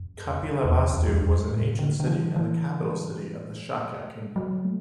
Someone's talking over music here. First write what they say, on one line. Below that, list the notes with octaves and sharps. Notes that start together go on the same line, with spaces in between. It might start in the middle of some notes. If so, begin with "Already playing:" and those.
Kapilavastu was an ancient city and the capital city of the Shakya kingdom.
Already playing: F#2
E2
F#2
E2
E2
E2
E2
F#2
A2
D3
D3
E3
E3
A3
F#3
F#3
A3